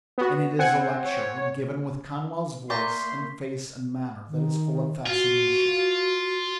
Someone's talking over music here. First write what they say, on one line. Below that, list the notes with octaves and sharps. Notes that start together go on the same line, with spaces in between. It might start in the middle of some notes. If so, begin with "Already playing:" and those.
And it is a lecture, when given with Conwell's voice and face and manner, that is full of fascination.
B3 F#4
C4 F#5 G#5 C#7
C#5
E3 A#3 D5 A#5 C6 C#6 G6 B6
D#3
F4 F#4